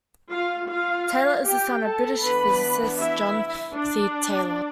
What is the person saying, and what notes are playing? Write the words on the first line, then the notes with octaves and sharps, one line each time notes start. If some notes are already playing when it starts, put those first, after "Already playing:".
Taylor is the son of British physicist, John C. Taylor.
F4 F5
F4 F5
G4 G5
A4 A5
E3 B3 D4 B4 B5
E4 E5
D4 D5